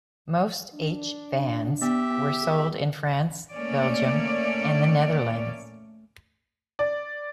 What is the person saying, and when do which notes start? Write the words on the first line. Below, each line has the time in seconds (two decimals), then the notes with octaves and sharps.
Most H Vans were sold in France, Belgium and the Netherlands.
0.74 D4
1.81 B3 G4 E5
2.10 E3 B3
2.41 G3 F4 G#4
3.52 A3 A#3 C#4 D5
6.79 D5